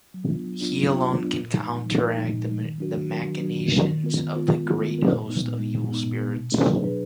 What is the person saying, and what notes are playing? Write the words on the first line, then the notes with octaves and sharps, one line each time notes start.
He alone can counteract the machinations of the great host of evil spirits.
F#3
B3 D4 F4
F#3
B3 D4 F4
F#3
B3 D4 F4
F#3
B3 D4 F4
A#2
F3 G#3 D#4
A#2
F3 G#3 D#4
A#2
F3 G#3 D#4
A#2
F3 G#3 D#4
D#3
F#3 D4 F#4 A#4
D#3
F#3 D4 F#4 A#4
D#3
F#3 D4 F#4 A#4
D#3
F#3 D4 F#4 A#4
D#3
G#3 B3 F4 A#4
D#3
G#3 B3 F4 A#4
D#3
G#3 B3 F4 A#4
D#3
G#3 B3 F4 A#4
A#2
G#3 B3 D#4
A#2
G#3 B3 D#4
A#2
G#3 B3 D#4
A#2
G#3 B3 D#4
B2
F#3 D4 G#4 B4
B2
F#3 D4 G#4 B4